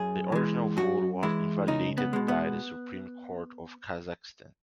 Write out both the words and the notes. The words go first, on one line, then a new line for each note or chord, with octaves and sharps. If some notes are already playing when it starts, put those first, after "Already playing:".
The original vote was invalidated by the Supreme Court of Kazakhstan.
Already playing: F#2 G#4
E3 G#3
F#2 F#4
E3 G#3 E4
C#2 D#4
B3
B2 G#3
B3